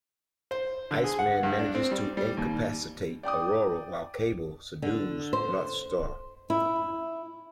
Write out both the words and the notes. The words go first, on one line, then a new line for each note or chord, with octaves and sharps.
Iceman manages to incapacitate Aurora while Cable subdues Northstar.
C5
D3
G#4
F#5
G2
D4
C4
G3
G3
D#2
D5 G5 D6 D#6
D3
C5
E4